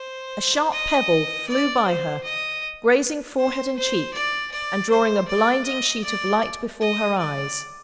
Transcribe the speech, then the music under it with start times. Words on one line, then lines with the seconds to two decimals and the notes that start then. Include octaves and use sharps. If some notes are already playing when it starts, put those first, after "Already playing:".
A sharp pebble flew by her, grazing forehead and cheek, and drawing a blinding sheet of light before her eyes.
Already playing: C5
0.72 D#5
1.48 D5
1.87 C5
2.24 D#5
3.39 C5
3.77 C5
4.14 D5
4.52 D5
4.91 C5
5.28 D5
5.66 D#5
6.04 D5
6.81 D#5
7.18 D5